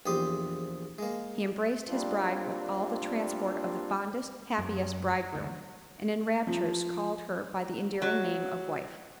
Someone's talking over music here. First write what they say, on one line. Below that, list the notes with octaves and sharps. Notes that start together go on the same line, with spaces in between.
He embraced his bride with all the transport of the fondest, happiest bridegroom, and in raptures called her by the endearing name of "wife."
A#1 E2 G4 C5 D#6
G#3 A#3
G3 A#3 C4 D4 F4
F#2
D2
F3
F#3